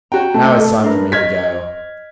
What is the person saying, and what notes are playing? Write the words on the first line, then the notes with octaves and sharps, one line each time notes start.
Now it's time for me to go.
F#4 C#5 G5 A#5
A3 F#4 A5
A4
D4 A#4 B4
C#5 D#5 F6 G#6 B6